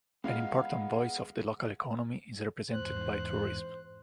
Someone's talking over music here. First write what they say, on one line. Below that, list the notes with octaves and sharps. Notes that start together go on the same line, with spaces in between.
An important voice of the local economy is represented by tourism.
G#3 B3 F4 F5
E2 G#2 C5 F#6